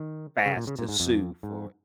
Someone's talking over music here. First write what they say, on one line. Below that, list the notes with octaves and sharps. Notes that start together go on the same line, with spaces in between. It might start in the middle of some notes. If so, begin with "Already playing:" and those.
fast to sue for
Already playing: D#3
C#3
A#2
C#3
A#2
G#2
F2
G#2